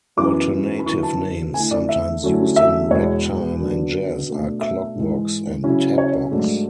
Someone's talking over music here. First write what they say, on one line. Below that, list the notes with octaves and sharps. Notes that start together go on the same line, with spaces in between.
Alternative names sometimes used in ragtime and jazz are clog box and tap box.
F#2 E3 B3 D6
B5
D3 F#3 B3 E4 C#6
A5
D3 A3 E4 G#5
D5
E5
D3 F#3 A3 C#4 E4
E5
E2 B2 G#3 C#5
D3 F#3 B3 D4
B2 A3 D4
E5
G#2 E3 G#3
C#3 F#3 C#4 E4
C#5
G#2 F#3 A3 D4